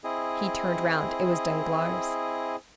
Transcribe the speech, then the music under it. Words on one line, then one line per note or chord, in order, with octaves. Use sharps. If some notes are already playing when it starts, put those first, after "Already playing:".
He turned round; it was Danglars.
C4 E4 G#4 D#5